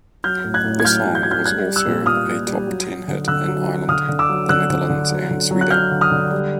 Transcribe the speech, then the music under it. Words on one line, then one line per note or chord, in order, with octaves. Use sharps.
The song was also a top ten hit in Ireland, the Netherlands and Sweden.
F#3 F6 G6
A2
F#6 G#6
A2
G#6
F#3 F6 G6
A2
G6
F#3 G#6
F6 G6
G3 F#6 G#6
G3
E6 F#6
A#2
A#2 D#6 F6
A#2
G3
F#3
F#3
D3
D3 E6 F#6
F#3
F#3
D3 D#6 F6
D3
D6 E6
F#3
D3 E6 F#6
D3
D3
F#3
D3
F#3
F#6
F#3 F6 G6
D3
D#6 F6
D3
G3